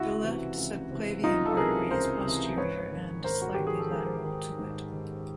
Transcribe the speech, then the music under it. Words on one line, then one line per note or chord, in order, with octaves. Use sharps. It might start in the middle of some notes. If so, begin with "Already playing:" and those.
The left subclavian artery is posterior and slightly lateral to it.
Already playing: C#2 E4 F#4
C3 E3
C#2
C3 E3
C#2 D#4 F4
A4
C3 E3 G#4 A#4
C#2 A#4 C5
C3 E3
G#2 B4 C#5
D#3
G#2 A#4 C5
F#4
D#3 G4
G#4
A4
G#2 G#4 A#4
D#3
G#2
D#3